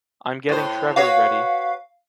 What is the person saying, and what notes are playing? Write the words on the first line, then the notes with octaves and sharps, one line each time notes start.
I’m getting Trevor ready!
A2 C5
F#4 B4 C#5 F5